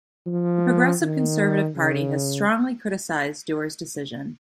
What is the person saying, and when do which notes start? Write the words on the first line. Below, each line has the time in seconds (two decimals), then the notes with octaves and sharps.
The Progressive Conservative Party has strongly criticized Doer's decision.
0.26 F3
1.01 D#3
1.76 C#3